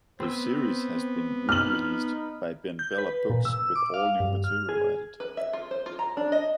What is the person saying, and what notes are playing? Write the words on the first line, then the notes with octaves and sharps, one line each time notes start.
The series has been re-released by BenBella Books, with all-new material added.
B3 C4 C5 E6
D#4 F6 F#7
G6
B4
A#2
E6
D6
F5
G2
F6
G#4
B4
E5
F4
C5
F4
A#5
D4
D#5